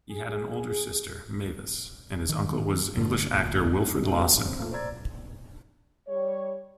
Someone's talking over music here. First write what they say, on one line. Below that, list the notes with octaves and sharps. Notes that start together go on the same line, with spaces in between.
He had an older sister, Mavis, and his uncle was English actor Wilfrid Lawson.
G#4
D#3
G2 D3 A3
G1 D2 A#2
B2 G3 A3
G#4 B4 F#5 G5
A#1
C4
F3 A3 A#3
C5 D5 A#5 E6 G#6 A6
G3 C#5